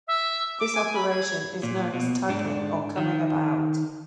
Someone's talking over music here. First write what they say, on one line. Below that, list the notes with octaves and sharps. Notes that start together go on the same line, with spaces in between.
This operation is known as tacking or coming about.
E5
D6
G#5
B5
G#6
A#2
B2
G#2 D4
D#3